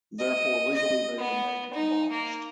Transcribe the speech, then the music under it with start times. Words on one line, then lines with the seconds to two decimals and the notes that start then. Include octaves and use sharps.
Therefore legally they remain abolished.
0.19 D#5
0.74 D#5
1.18 B3
1.73 D#4
2.11 A#3